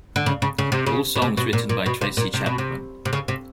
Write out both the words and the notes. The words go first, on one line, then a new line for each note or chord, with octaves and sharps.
All songs written by Tracy Chapman.
D3
C#3
C#3
C#3
C3
C#3
B2
C3
B2
A#2
A#2
B2
C3
A#2
C3
B2
C3
C3
C#3
C3